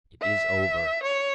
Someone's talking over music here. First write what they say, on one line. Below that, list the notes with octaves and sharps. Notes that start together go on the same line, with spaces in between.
It is over.
E5
C#5